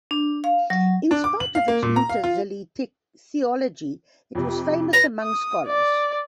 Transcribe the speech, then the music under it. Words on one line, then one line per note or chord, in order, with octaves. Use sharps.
In spite of its Mu'tazili theology it was famous among scholars.
D4
F5
F#3
D4
D6
F#7
F5
A#3
A#2
A#5
F5
F4
F2 C3
B4 A#6
D#6
D5